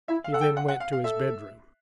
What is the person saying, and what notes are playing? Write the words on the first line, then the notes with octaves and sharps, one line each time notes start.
He then went to his bedroom.
E4 E5
F5
A4 F#5
G5
F#5
F#5
F5
F5
A4 E5